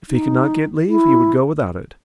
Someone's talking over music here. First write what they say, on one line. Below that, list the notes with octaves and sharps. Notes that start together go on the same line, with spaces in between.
If he could not get leave he would go without it.
D#4
E4